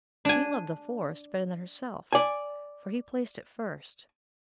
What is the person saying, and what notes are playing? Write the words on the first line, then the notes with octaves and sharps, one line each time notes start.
He loved the Forest better than herself, for he placed it first.
D4 G#5
D5 G#5